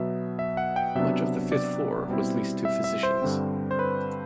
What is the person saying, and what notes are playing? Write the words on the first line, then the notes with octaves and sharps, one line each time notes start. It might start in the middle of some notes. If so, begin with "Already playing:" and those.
Much of the fifth floor was leased to physicians.
Already playing: B2 F#3 B3 E5
E5
F#5
G5
C3 F#3 B3 D4 E5
D5
B2 G3 C4 E4
E5
E5
C5
G2 D3 G3 C4
C5
B4